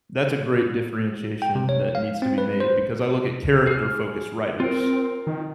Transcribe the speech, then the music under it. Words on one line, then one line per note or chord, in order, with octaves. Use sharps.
That's a great differentiation that needs to be made, because I look at character focused writers
G5
C3
C#5
F5
C4
B4
C5
G#4 F6
C4 F4 A#4
D#3